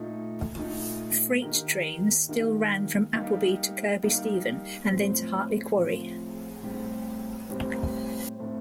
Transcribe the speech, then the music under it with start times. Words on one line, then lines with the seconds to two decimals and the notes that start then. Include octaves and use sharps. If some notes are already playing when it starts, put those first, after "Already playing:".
Freight trains still ran from Appleby to Kirkby Stephen and then to Hartley Quarry.
Already playing: A#2 A3 D#4
0.55 A#2 A3 D#4
1.42 D#3 A#3 D#4 G4 A#4
2.28 D#3 A#3 D#4 G4 A#4
3.15 G3 A#3 D#4 G4
4.03 G3 A#3 D#4 G4
4.89 A2 F3 C4
5.76 A2 F3 C4
6.63 A2 G3 C4 G4
7.50 A2 G3 C4 G4
8.37 A2 A3 C4